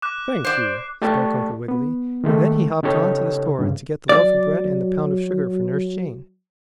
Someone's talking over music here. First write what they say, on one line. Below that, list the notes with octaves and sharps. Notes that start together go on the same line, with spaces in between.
"Thank you," spoke Uncle Wiggily, and then he hopped on to the store to get the loaf of bread and the pound of sugar for Nurse Jane.
D6 F#6
C5 D5 C7
A3 G4 D5 A5 C#6
B3
D#3 G#3 A3
C#3 D#4 G4 A4 C#5
G2 C#3
F#3 D5